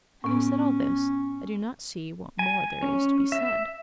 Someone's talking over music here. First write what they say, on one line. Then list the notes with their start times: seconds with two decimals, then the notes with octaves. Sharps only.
Having said all this, I do not see what more there is to be said.
0.24 A2 B3 C#4
2.39 G#5
2.82 C#4
3.32 E5